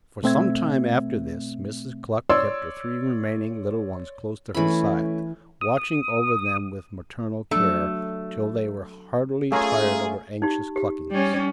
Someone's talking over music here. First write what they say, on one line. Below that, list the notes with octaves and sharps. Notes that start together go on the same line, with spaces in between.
For some time after this, Mrs. Cluck kept her three remaining little ones close to her side, watching over them with maternal care, till they were heartily tired of her anxious cluckings.
B2 A3 C4 E5 G#6
C#5 D5 C6 E6
E3 A3 C#4 E4 B5
D#6
F#3 A3 D4
A3 C#4 F4 G#4 C5 F5 A#5 C6
D#4 G4
G4
G3 C#4